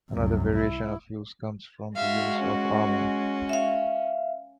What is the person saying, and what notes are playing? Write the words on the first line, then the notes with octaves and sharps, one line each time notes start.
Another variation of use comes from the use of armour.
C2 F#2
E4
G#3 F#4 E5 F5
C#4
E5 F5